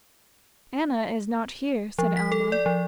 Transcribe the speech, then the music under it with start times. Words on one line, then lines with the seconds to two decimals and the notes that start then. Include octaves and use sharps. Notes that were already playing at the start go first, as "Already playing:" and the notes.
"Anna is not here," said Alma.
1.99 F3
2.17 B6
2.32 A4
2.52 D5
2.66 F3